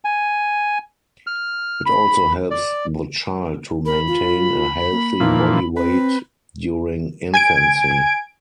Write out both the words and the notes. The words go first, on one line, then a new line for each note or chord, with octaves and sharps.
It also helps the child to maintain a healthy body weight during infancy.
G#5
F6
B5
D5
A#4 B5
F4
A#3
A#2 E3 F3 D#4
C4 B4
G#5 G#6 D7